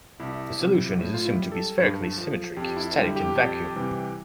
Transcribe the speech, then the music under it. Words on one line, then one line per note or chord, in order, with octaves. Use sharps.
The solution is assumed to be spherically symmetric, static and vacuum.
C2 E4
C3 F3
A2
F4
E4
G3
A4
G2
F3
F2 G4
E4
D3 G3 E4
G4
F2
C3 E3 G3